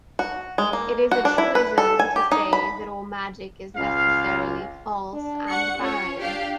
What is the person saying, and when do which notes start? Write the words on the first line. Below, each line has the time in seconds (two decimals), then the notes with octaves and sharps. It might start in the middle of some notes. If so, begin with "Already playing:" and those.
It is a truism to say that all magic is necessarily false and barren.
0.19 F#4
0.58 G#3
0.73 A#3
1.11 F#4
1.25 D4
1.38 E4
1.55 B4
1.78 A4
1.99 G#5
2.16 G4
2.32 D#4
2.53 B5
3.76 C#2 F5
5.14 D4
5.48 F#5 C#6 C#7
5.81 C#4 F4 C#5
6.20 D4 G4 F5